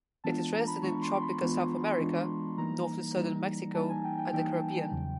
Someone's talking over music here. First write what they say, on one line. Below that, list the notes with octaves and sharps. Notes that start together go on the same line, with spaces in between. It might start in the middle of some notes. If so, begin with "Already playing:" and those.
It is resident in tropical South America north to southern Mexico and the Caribbean.
E3 G#3 B3 D4 F4 A5
A5
A#5
B5
E3 G#3 B3 D4 F4 C#6
C6
B5
E3 G#3 B3 D4 F4
E3 G#3 B3 D4 F4
E3 G3 A#3 D#4 A#5
E3 G3 A#3 D#4
E3 G3 A#3 D#4 A5
G#5
G5
G5
E3 G3 A#3 D#4 G5
E2 C#3 F#3